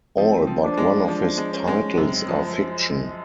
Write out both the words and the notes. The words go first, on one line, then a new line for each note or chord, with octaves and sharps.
All but one of his titles are fiction.
F3 C4
F3
D4
G#3
F3 D4
G#3
C#4
G#3
F#2 C4
F3